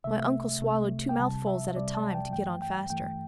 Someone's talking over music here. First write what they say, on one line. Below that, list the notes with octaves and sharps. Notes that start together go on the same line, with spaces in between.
My uncle swallowed two mouthfuls at a time to get on faster.
C2 C3 A3 E5
C2 C3 A3
G5
C2 C3 G3 A5
E5
C2 C3 G3 D5
A5
G5
G2 E3 A3 G5
G5
G2 E3 A3 G5